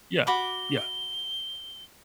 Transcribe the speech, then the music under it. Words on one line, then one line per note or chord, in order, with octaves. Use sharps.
yeah, yeah.
F#4 B5 D6 G7